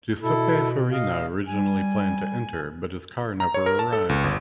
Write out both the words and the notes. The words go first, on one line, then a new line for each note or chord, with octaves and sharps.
Giuseppe Farina originally planned to enter, but his car never arrived.
B2 E4 A4
D#5 F5
G3 G#5
A#5
C#5
A#4
A5
A4
C#2
G1